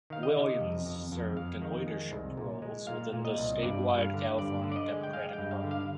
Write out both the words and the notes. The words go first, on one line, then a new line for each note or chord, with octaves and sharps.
Williams served in leadership roles within the statewide California Democratic Party.
D#3 F5
D#5
C3
F2
F2
F2
F2 F5
D#3
G#3
C2
A#2
G#3
A#2 F5
A#2
D#5
C2
G2 D5
G2
F5
D3
G2 D5
D3
D5
D#5
G#3
G5
G#3 F5
G5
G2
F5
D3
F5